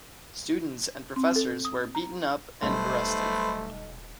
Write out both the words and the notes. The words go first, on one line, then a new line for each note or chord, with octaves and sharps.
Students and professors were beaten up and arrested.
C4
A4
D#6
A#5
D#1 B1 G3 A3 B4 C5